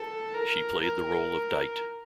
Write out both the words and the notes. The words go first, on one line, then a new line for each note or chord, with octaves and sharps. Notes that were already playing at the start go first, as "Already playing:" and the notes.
She played the role of Dite.
Already playing: A4
A#4
A#4